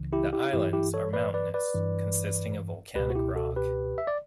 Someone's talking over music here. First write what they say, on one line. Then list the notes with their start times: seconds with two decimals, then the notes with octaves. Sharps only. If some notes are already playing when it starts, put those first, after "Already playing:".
The islands are mountainous, consisting of volcanic rock.
Already playing: C#2 C#3 E3
0.13 E4 G4
0.33 E4 G4
0.53 G2 E3 E4 G4
0.73 E4 G4
0.94 A4 C#5
1.13 B4 D5
1.34 B4 D5
1.54 B4 D5
1.75 G2 E3
2.95 C#2 B2 G4 B4
3.10 F#4
3.15 E4 G4
3.35 F#4 A4
3.56 G4 B4
3.98 E5
4.07 D5